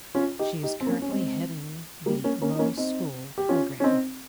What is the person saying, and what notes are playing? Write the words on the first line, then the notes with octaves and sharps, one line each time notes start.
She is currently heading the "Mo school" programme.
C#4 F4
D#4 G4
D#4 G4
C4
A#3 C#4
C#4
G#3 C4
G3 A#3
A#3 C#4
A#3 C#4
D#4
A#3 C#4
C4 D#4
G4
C#4 F4
C#4
C4 D#4